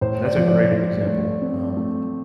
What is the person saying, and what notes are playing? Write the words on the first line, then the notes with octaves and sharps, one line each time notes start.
That's a great example, um,
A2 C5
D5
F3
D5
A2 D5
A3
C4
A3